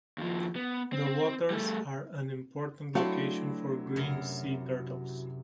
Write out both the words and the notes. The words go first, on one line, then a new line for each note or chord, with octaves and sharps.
The waters are an important location for Green sea turtles.
D#2 F3
B3
C4
C4
G3 A3
F#3 A3 C4 D4 E4 B4 F5 F#5
F#2 C3 A#4